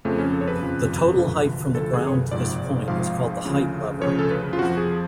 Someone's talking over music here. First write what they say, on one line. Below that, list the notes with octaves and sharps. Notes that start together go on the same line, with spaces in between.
The total height from the ground to this point is called the height lever.
F2 C#3 F3 A3
C#4
A4
C#5
B4
F2 C#3 F3
D2 D3 F3
D2 D3 F3 A4
G#4
C#5
B4
G#1 G#2 F3 D5
G#1 G#2 F3 F5
D2 C#3 F3
D2 C#3 F3 C#5
A4
B4
F4
F2 F3 F#4
G#4